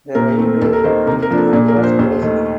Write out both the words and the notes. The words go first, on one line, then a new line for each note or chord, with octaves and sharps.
The railway between and was closed.
A#2 A#4
A3 C4
D#2 A4
A#4
D#3 A#3 C5
C3 A#4
A#4
F3 A#3 D4
A4
A#2 D5
A#4
F3 A#3 D4
C5
D#2 C5
D#3 A3